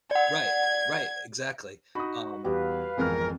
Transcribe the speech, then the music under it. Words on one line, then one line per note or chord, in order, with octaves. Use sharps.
Right, right, exactly, um
D5 F#5 G#6
D#4 F#4 B5 D#6
E2 G3 F#4 G4 B4 F5
G#1 F2 E3 G#3 B3 A#4 F6